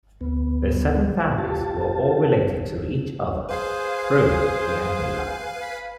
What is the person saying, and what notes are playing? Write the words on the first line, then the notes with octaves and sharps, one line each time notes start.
The seven families were all related to each other through the Agnew line.
D2 B3
F4 G4 A5
G#4 B4 C5 F5 G#5
B5